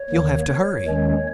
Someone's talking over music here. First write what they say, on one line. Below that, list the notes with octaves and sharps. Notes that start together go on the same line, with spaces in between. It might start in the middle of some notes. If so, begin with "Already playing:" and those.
"You'll have to hurry."
Already playing: C#5
D#2 D#3 A#3
C#5
D#2 D#3 G#3 C#4